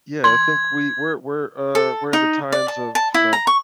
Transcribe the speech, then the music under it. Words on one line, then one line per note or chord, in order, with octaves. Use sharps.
Yeah, I think we we're we're, uh, we're in the times of, you know,
C6 G#6
A4
D#4
D5
A5
A5
E4
A#5
C#6